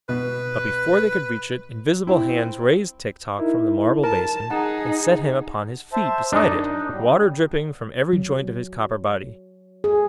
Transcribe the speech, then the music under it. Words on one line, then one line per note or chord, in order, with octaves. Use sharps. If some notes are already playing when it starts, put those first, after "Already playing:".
But before they could reach it, invisible hands raised Tik-Tok from the marble basin and set him upon his feet beside it, water dripping from every joint of his copper body.
B2 B4
C4 E4
D#4 E4 A#4
A#4 A5
D#4 G#4 F#5 A5 A#5
C5 E5 A5
F#2 D4 D#4
F#3 G3
F#3
G#4